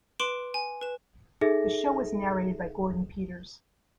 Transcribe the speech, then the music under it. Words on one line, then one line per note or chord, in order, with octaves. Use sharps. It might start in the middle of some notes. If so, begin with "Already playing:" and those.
The show was narrated by Gordon Peters.
B4 C6 D6 D7 E7 F#7
G#5
B4 E7
D#4 G#4 A4 E5 A#6